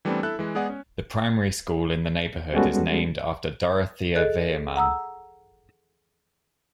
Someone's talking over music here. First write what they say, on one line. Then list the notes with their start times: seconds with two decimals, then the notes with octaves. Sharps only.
The primary school in the neighbourhood is named after Dorothea Viehmann.
0.05 E3 G3 A3 B3 C4 D4
0.23 E4 A4 E5 F#6
0.39 E3 G#3
0.55 G#3 B3 G#4 D5 F#5
0.70 C#4
2.53 G3 G#3 B3 C#4 F#4 A4
4.16 G#4 A4 D#5 F#6
4.76 F#5 A#5 D#6 E6